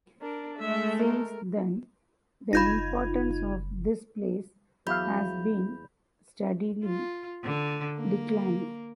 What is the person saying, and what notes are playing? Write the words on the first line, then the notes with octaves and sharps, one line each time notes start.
Since then, the importance of this place has been steadily declining.
D4 A#4
G#3 A3 A4 E5
A#4
F#1 D#4 F4 B5 G6 G#6 A#6
E2 F#3 E5 F5 B5 G6
F4
D3
A#3